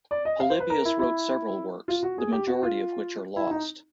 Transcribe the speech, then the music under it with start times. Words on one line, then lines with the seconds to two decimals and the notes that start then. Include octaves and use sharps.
Polybius wrote several works, the majority of which are lost.
0.11 D5
0.25 D#5
0.40 F5
0.50 C5
0.60 B4
0.70 A#4
0.85 E4
0.99 E4
1.88 F4
2.03 F#4
2.18 G#4
2.32 G4
2.47 F#4
2.63 F4
3.36 E4
3.51 D#4